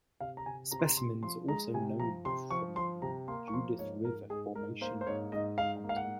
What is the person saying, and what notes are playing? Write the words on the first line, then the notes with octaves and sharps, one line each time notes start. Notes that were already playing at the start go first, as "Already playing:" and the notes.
Specimens are also known from the Judith River Formation of Montana.
C3 F5
A#5
C3 G#5
C3 A#5
C6
A#5
C3 C6
F3 C6
G#3 A#5
C3 G#5
F3 A#5
C3 C6
F3 C#6
F3 C6
C3 A#5
A#3 C6
C#6
F3 C6
G#2 C#5
G#2 A#4
G#2 G#4
G#2 A#4
A#3 C5
C5
G#2 C#5
G#2 D#5
G#2 F5
A#3
F5
F#5